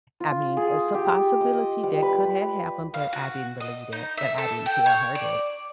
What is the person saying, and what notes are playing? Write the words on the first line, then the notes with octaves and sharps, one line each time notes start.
I mean, it's a possibility that could have happened, but I didn't believe that, but I didn't tell her that.
F4
G#4
G4
D#5
G3
B4
F5
F#4
D#5
D#4
E5
A4
G5
C#5
D5